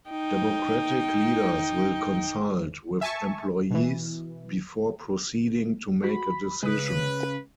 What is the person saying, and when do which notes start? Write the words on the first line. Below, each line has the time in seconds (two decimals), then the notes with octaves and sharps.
Democratic leaders will consult with employees before proceeding to make a decision.
0.10 D#4 G5
3.01 E5 G#5 A5 C#6
3.70 B2 E3
6.04 F#4 B5
6.63 C#3 G#3 B4 D#6